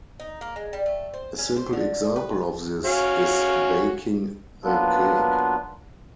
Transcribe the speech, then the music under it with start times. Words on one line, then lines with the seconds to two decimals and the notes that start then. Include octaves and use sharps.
A simple example of this is baking a cake.
0.20 D#4
0.41 A#3
0.56 G#3
0.73 G3
0.86 A3
1.14 C5
1.38 C#4
1.56 C5
1.73 D3
2.16 B4
2.85 C#4 F#4 F5
4.64 F#3 A#3 B3 D4 F4 B4